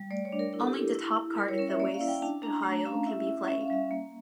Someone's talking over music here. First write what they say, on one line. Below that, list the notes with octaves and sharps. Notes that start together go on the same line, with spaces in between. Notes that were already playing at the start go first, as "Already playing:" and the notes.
Only the top card of the waste pile can be played.
Already playing: G3
A3 D5
C#5
D4
A#4
E4 A#4
A4
G4
E4 A4
E4
E4
G3 A#4
C#5
C#4 A#4
E5
A#3 D5
F5
E4
G5
D4 A5
D4 A#5
A#5
A3 A5
C#4 F5
E4 E5
E4
C#4 E5
F5
G3 E5
A#3